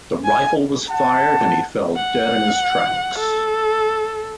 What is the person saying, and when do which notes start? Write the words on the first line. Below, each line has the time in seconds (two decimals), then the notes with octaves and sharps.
The rifle was fired and he fell dead in his tracks.
0.25 G#5
0.90 F#5 A5
1.96 F#5
3.18 A4